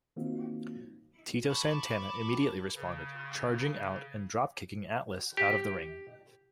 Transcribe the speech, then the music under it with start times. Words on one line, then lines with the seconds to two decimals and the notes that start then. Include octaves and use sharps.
Tito Santana immediately responded, charging out and dropkicking Atlas out of the ring.
0.16 D#3 A#3 C4 D#4 F4 F#4
1.49 A5 B5 C#6 D6
2.75 C#3
5.37 G4